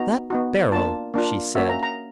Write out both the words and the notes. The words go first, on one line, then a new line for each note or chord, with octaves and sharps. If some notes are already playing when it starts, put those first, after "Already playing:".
'That barrel!' she said.
Already playing: B3 D#4 F#4 A#5
B3 D#4 F#4
A#3 D4 F4 A5
A#3 D4 F4
A#3 C#4 F#4 E5
A#5
A#5